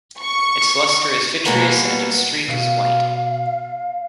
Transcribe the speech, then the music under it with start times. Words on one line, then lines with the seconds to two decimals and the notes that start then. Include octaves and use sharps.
Its luster is vitreous and its streak is white.
0.21 C#6
1.45 B2 G3 G#3 A#3 B3
2.48 B2 F5